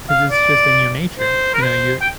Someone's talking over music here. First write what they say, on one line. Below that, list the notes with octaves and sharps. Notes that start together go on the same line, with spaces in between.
'Cause it's just in your nature, you know, you're
F5
D5
C5
A#4
C5
G5